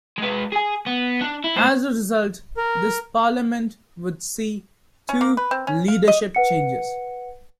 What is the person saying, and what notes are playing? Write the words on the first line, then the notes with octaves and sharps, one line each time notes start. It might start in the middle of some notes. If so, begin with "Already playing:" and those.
As a result, this Parliament would see two leadership changes.
G#3 B4
G#4 G#5
B3
D4
E4
A2 C5
A#4
C#4
A#3
B4
C4
C#4
F5
D#5
B4 F#5 C#7